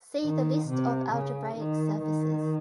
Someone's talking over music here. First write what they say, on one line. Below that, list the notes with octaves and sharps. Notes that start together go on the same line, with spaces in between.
See the list of algebraic surfaces.
D#3
C3
C#3
D#3
D#3